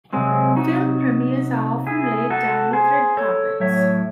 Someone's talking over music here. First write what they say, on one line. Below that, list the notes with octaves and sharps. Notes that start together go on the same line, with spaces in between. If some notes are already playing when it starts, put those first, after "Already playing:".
Film premieres are often laid down with red carpets.
C3 F#3 G#3 C4
D#4 F#4
E4 G#4
F#4 A4
G#4 C5
A4 C#5
A2 F#3 C#5 E5